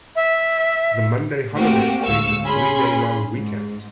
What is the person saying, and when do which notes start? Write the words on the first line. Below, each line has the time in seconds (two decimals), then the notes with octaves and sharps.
The Monday holiday creates a three-day long weekend.
0.16 E5
1.54 A3 A#3 C4 F#4 G4
2.04 D2 G#2 F5 C#6 E6
2.43 C#4 G#4 B5 C6
3.36 G#2